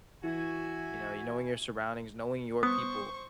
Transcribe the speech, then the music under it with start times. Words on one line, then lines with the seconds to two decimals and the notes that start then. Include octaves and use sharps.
you know, y knowing your surroundings, knowing your people,
0.23 E3 F#4 E5 G#5
2.63 B3 C5 C#6 D#6